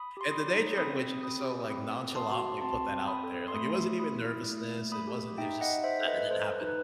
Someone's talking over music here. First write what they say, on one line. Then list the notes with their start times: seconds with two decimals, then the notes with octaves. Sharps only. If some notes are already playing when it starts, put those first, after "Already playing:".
And the nature in which he just so, like, nonchalantly put that out there, like, it wasn't even nervousness, it wasn't it was just, "Nah, that didn't happen,
Already playing: B5 D#6
0.17 G4 C6
0.31 B5 D#6
0.47 D#4
0.77 C4 B5 D#6
1.09 C4
1.23 B5 D#6
1.40 G4
1.69 C4 B5 D#6
2.01 A4
2.15 A5 C6
2.32 F#4
2.61 C4 A5 C6
2.93 C4
3.07 B5 D#6
3.24 A4
3.48 C6
3.53 A3 B5 D#6
3.84 G4
3.99 B5 D#6
4.15 E4
4.46 A3
4.77 A3
4.92 B5 D#6
5.07 G4
5.38 D#4 E5 G5
5.61 D#5 F#5
5.69 D#4
5.84 C5 E5
5.99 A4
6.08 B4 D#5
6.30 A4 C5
6.53 B4
6.61 D#4
6.67 B4